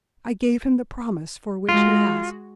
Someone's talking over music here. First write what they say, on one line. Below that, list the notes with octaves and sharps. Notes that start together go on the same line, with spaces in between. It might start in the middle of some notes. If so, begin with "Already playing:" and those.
I gave him the promise for which he asked.
G#3 F4 F#4